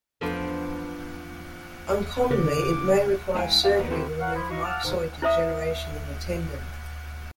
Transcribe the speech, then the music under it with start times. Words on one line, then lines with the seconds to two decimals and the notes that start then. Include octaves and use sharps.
Uncommonly it may require surgery to remove myxoid degeneration in the tendon.
0.21 F3 B3 D4 C5 D5
2.31 C#3 D6
3.35 G#3 B3 E4 F5 G5 G#5
3.64 B1 C3 F#3 D#4 G4 F5
3.78 A2 D#3 G3 A#3 B3
3.90 C4 E4 F#4 G4 A4 C5
4.20 A#4 C#5 F5 F#5
4.34 F3 E4
4.50 D#4 E4 F#4 D#5 F5 C#6
4.64 F5 F#5 A5 D6 E6 F6
4.84 G#2 C3 D#3
5.22 E4 C5 E5 D#6